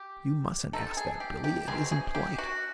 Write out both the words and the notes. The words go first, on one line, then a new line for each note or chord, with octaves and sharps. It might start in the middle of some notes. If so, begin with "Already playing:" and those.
"You mustn't ask that, Billie; it isn't polite!"
Already playing: G4
G3 C4 D#4 A4
G#4
G4
G4
B2 G#3 C4 E4 G#4
G#4
G4
F#4